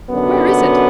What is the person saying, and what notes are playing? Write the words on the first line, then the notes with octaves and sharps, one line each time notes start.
"Where is it?"
F#2 D3 F#3 B3